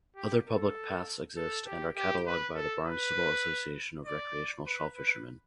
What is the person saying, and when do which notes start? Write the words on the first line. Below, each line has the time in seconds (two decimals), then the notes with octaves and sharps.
Other public paths exist and are catalogued by the Barnstable Association of Recreational Shellfishermen.
0.16 G4
0.47 A4
1.37 A4
1.67 G4
1.97 G4
2.27 B4
2.56 A4
2.87 B4
4.06 D5
4.66 B4
4.97 B4